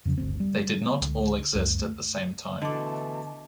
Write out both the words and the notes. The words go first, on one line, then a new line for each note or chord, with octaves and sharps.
They did not all exist at the same time.
F2 C#3 F#3
G1 D2 C4
G3
C#2 D3
C#2 F#2 C#4
A3
B2 D3 E3 A3 D#5 A5 D6